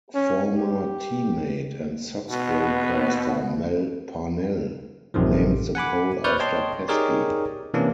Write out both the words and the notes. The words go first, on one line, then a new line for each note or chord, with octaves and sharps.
Former teammate and Sox broadcaster Mel Parnell named the pole after Pesky.
C#4
G4
B2 B3
A1 F#2 C3 D#3 F3
F#5 G#5 B5 D6
B4 C5 D5 C#6 F6 G6
C#5 D#5 G5 A5 C6
D#4 G4 G#4 A#4 C#5 D5
C3 E3 A#3 C#4 D4